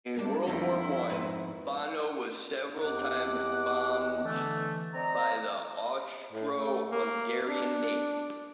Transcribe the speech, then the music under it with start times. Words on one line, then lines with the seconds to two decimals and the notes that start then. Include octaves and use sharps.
In World War One Fano was several times bombed by the Austro-Hungarian Navy.
0.17 G3 G#3 A#3 D4
0.48 F2 D#3 E4
1.10 G#2 B4 C5
2.82 E2 C4 G4 D#5 F#5 D6
4.23 D3 E3 A3
4.93 C4 D5 D#5 A#5
6.32 A2
6.53 A3
6.91 A#3
7.46 D4